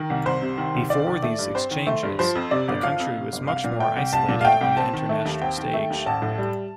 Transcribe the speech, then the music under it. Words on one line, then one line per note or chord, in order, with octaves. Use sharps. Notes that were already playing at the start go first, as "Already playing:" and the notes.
Before these exchanges, the country was much more isolated on the international stage.
Already playing: D#3 A#4
C2
C2 C5
C3
D#3
C2
C4 D5
D#3
A3
G2
C4 C5
D#3
A3
G2
F3 C5
F2
C3 D5
G1
F3 F5
F2
C3
G1
C2 F5
A#2
A3 G5
C2
C2 A5
A#2
F5
A3 G5
C2
C4 A5
D#3
A3
D#2
C4 G5
D#3
A3
D#2
A1 A5
A2
G3